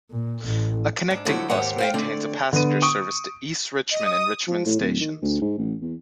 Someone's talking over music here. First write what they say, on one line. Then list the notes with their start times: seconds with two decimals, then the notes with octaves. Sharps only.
A connecting bus maintains a passenger service to East Richmond and Richmond stations.
0.11 A#2
0.46 A1
1.10 G#2 D4
1.25 D3 F3 F#3 A3 E4 F#4
1.50 D#2 G#2 G4 C5 F#5
1.78 C5 F5 G5
1.94 D3 A3 C4 D5
2.53 D3 B3 D#7
2.82 C#6 D#6 D7
3.91 D#5 D#6
4.48 F3
4.66 A2
4.80 D1
5.00 D#3
5.22 D2
5.41 G#2
5.58 A1
5.81 E2